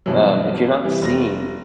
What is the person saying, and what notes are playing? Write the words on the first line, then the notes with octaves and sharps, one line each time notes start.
Um, if you're not seeing
G2 B2 E3 F#3
C3 E3 G3
F1 A#6